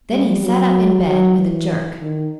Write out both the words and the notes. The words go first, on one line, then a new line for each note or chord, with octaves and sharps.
Then he sat up in bed with a jerk.
G3
F#3
F#3
E3
D#3